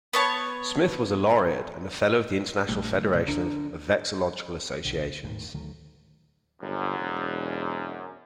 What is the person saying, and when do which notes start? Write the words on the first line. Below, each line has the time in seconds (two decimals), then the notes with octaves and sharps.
Smith was a Laureate and a Fellow of the International Federation of Vexillological Associations.
0.13 B3 C#5 A5
2.69 A#1 G3 A3
2.94 D3
3.13 A#2
3.28 D2 D3 D4 A#4
4.85 B1 D3
5.23 G#1 D#2 A2 D#3
5.55 D2 D#3 F#3 A3
6.62 G1 F#2
6.98 E1